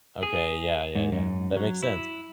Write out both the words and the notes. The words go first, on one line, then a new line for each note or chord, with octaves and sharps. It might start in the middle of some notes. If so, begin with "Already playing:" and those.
Okay, yeah, yeah, yeah. That makes sense.
G#4
G#2
F#2
F#3
E4